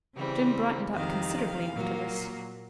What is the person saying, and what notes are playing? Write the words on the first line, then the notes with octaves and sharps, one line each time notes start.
Jim brightened up considerably after this.
C#3 E3 G3 C4
F2 C3 D#3 F5
A#2 F#3 A#3